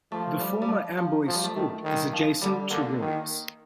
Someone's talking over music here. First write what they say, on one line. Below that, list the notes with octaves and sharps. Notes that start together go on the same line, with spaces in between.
The former Amboy School is adjacent to Roy's.
F3 A3
G3
G3
F3
F3
F3 A3
G3
A3
D#3 A3
D#3 G3
F3
D3 G3
D3 A#3
D#3